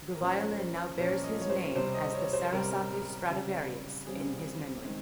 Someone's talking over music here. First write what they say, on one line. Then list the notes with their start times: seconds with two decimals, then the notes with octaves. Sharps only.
The violin now bears his name as the "Sarasate Stradivarius" in his memory.
0.16 A#4
0.21 A#2 F3 A#3 C#4 C5
0.59 C5
0.98 A#2 F3 A#3 C#4 C#5
1.24 D#5
1.42 C#5
1.50 C5
1.76 C3 G3 C4 C5
1.94 D#5
2.14 C#5
2.33 C5
2.45 C5
2.52 C3 G3 C4 A#4
3.29 C#3 G3 C4
4.07 C#3 G3 C4 G#4
4.84 D#3 G#3 C4